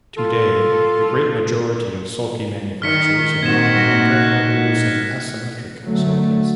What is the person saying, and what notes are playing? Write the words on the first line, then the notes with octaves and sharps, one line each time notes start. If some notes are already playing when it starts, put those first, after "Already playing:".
Today the great majority of sulky manufacturers in North America are producing asymmetric sulkies.
F4 A4
D#3 F6 B6 C#7
A#2 A#3 C4 D#4 F#4 G#6 B6 E7
A#6
F#6
D3 F#3 A3